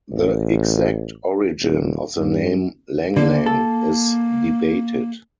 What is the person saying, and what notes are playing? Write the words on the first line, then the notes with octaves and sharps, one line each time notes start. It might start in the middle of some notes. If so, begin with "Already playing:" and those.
The exact origin of the name Lang Lang is debated.
A1
D#1
G2
D3 A#3
A4